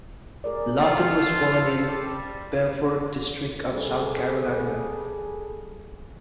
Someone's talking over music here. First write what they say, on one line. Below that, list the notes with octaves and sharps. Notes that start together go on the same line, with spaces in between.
Lawton was born in the Beaufort District of South Carolina.
G#4 A#4 D5
F4 A4 C5 A5
G3
G3 G#4 A4